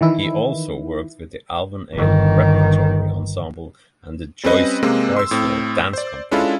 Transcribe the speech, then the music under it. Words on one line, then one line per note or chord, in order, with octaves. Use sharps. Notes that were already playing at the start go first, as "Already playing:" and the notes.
He also worked with the Alvin Ailey Repertory Ensemble and the Joyce Trisler Danscompany.
D#3 E3 E4
G1 D#3
G3 C4 C#4 B4 D#5
C3 G#3 A#3 C4
C6 E6
A2 C4
C5 D5
G#3 C#4 D4 E4 F4 A4